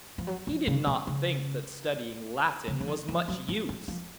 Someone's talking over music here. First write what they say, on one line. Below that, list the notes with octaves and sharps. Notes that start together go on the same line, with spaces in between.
He did not think that studying Latin was much use.
F3
F#3
F3
C#3
B2
C#3
C#3
F3
D#3
F3
F#3
F#3
F#3
F3